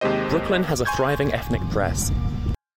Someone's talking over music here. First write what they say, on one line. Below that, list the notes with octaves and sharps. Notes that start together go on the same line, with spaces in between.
Brooklyn has a thriving ethnic press.
D#2 C3 G#3 G4 C5 D#5
G#5 C6 C#6 G6 G#6